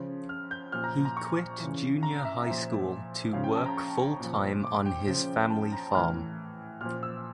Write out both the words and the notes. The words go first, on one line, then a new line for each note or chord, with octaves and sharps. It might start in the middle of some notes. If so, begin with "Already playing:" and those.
He quit junior high school to work full-time on his family farm.
Already playing: C#3 F3
F6
G6
A#2 F3 F6
A#5
A#5
C#6
C#3 E3
A#5
E5
A#2 F3 E5
C#3 F3 F5
G5
A5
A#5
C#6
A#2 F3
D6
G5
C#3 F3
G5
A5
A#5
A2 E3 F6
A#2 F3 F6
E6